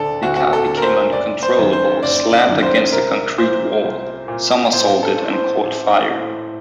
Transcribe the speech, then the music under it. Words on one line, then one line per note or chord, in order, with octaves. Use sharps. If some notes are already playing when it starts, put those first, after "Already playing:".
The car became uncontrollable, slammed against a concrete wall, somersaulted and caught fire.
Already playing: D2 D3 A4 D5
D2 F#4
F#4
A4
D3
A#4
C5
F#1 D5
C5
F#2 D#3
C5
F#1 D5
D5
F#2 D#3
C5
C2 A#4
A#2 C5
C2
A#2
A1 C5
A4
A2
C5
A1
A2